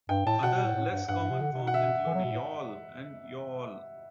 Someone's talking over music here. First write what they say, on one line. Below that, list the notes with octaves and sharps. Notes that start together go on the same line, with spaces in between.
Other less-common forms include "yawl" and "yo-all".
G2 G5
A2 A5
B2 F#5
B2
A2
A2
G2
G2 F#5
G2
C3
D3
C3
B2 F#5
E5
E3
F#3
B2
A2